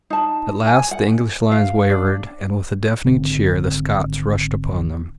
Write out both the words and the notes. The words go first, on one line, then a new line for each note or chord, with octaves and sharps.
At last the English lines wavered and with a deafening cheer the Scots rushed upon them.
D#4 A5
G#5
F#5
F5
D4
G#1 D3 C4